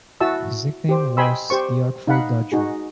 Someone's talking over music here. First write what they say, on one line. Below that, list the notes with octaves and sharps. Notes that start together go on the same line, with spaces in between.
His nickname was 'The Artful Dodger'.
E4 F#4 E5 A5 E6
G4 C5
D#5 G5 G#5 B5 C6 E6
G4 C5 C#6
D#4 F5 F#5 B5
D#4 F#4 G#4